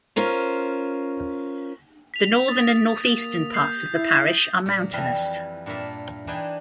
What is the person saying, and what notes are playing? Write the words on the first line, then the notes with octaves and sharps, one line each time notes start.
The northern and northeastern parts of the parish are mountainous.
C#4 F4 A#4 C5
B6 F7
D#6 A6
A#3
G6 C7
E4
A#2
F2 E3 G3 E5 F5 A5
G2 A#2 F4 E5 A5
E3 D4 D#4 G5 G#5 B5